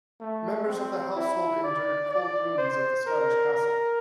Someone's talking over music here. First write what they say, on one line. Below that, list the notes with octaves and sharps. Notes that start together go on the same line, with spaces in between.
Members of the household endured cold rooms at the Scottish castle.
A3
C4
E4
D5
D5
C5
A#4
A#4